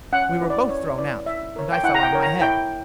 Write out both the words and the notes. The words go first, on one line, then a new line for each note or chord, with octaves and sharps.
We were both thrown out, and I fell on my head.
C#4 F#5
E4 B4
D5
C#4 C#5
E4 B4 D5
E4 E5
A#4 C#5
G5
E4 F#5
A#5
G5
A#4 C#5
A#5
E4 G5